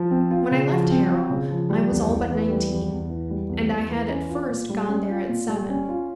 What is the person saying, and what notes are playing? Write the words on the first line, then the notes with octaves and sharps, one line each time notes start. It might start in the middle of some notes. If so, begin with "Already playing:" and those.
When I left Harrow I was all but nineteen, and I had at first gone there at seven.
Already playing: F3
C4
F4
C#3
F3
C4
F4
C#3
F3
G3
E2
E2
E3
G3
E2
E2
E3
G3
E2
E2
E3
C#4
F4
A#2
G3
C#4
F4
A#2
G3
C#4
F4